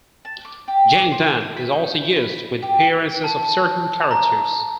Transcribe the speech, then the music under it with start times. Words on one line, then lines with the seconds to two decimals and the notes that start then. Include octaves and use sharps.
"Jangdan" is also used with the appearances of certain characters.
0.25 A5
0.45 D6
0.68 G4
0.93 D6
1.12 C5
1.24 D5
1.41 D#5
1.57 B5
1.72 D#4
2.16 B5
2.62 G4
3.24 A5
4.11 A#5